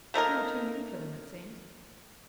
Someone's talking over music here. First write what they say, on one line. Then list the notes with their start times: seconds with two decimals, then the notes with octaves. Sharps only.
'You were too many for them, it seems.
0.14 A3 A#3 D#4 A#4